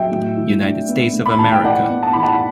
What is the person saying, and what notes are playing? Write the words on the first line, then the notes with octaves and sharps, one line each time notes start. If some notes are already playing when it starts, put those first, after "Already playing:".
United States of America.
Already playing: F#3 E5 G5
A2
E3
D4
B3
A2
B5
E3 A5
G5
E3 D5 F#5
B3
A5
E3 B5
F#5 A5